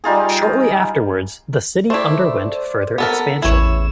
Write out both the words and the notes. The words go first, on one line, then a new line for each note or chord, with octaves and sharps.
Shortly afterwards, the city underwent further expansion.
G3 D#4 F4 G#4
A3 E4 C5 D5
B3 A4 A#4
A1 E2 E4 C#5 E7